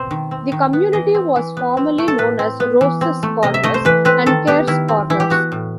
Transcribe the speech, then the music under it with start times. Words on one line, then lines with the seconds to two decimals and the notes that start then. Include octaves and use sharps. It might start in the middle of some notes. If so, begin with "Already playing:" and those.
The community was formerly known as "Rose's Corners" and "Kerr's Corners".
Already playing: B2 C4 C5
0.11 D#3
0.31 C4
0.52 D#3
0.73 B3
0.93 E3 D#5
1.14 C4
1.36 E3
1.57 B3
1.77 C4
1.98 A3
2.08 A4
2.18 A2 B4
2.39 C4
2.60 B3
2.81 E3
3.01 C4
3.23 A3
3.43 C3 D#5
3.54 E5
3.63 A3 D#5
3.74 C5
3.85 E3 B4
4.05 C4 B4
4.26 D#3 A4
4.47 B3 G4
4.67 D#3 E4
4.88 C4
5.10 E3 E4
5.20 G4
5.30 B3 F#4
5.52 A2